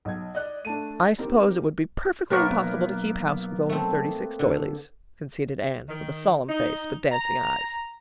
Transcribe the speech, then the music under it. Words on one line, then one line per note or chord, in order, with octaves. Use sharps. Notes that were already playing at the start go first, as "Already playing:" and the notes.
"I suppose it would be perfectly impossible to keep house with only thirty-six doilies," conceded Anne, with a solemn face but dancing eyes.
B1 G#6
D5 D#5 F#6
A3 D4 A5 D#7
C4 D#4 G4 A#4
B1 A#3 B3 A#4 C#5
A3 C4
D3
D#3
D#4
A#5